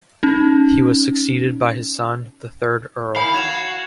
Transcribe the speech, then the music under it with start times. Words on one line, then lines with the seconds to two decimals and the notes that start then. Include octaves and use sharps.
He was succeeded by his son, the third Earl.
0.23 C#4 D#4
3.16 D#3 E4 C#5 F5 G#5 B5
3.34 F#4 G#6 E7 F7